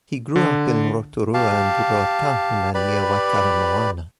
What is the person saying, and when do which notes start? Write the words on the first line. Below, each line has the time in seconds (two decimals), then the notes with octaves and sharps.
He grew up in Rotorua and in Ruatahuna near Waikaremoana.
0.36 D3
1.34 G4 F5 A5
2.74 G4 B4 D5 B5